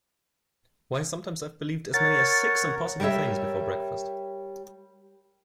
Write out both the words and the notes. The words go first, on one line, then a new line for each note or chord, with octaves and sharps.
Why, sometimes I’ve believed as many as six impossible things before breakfast.
A#4 C#5 F#5 A6
G3 A#4 C5 C#5 E5